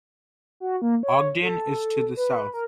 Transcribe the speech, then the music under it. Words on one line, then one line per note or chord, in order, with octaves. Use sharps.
Ogden is to the south.
F#4
A#3
C#5
A4
B4
A#4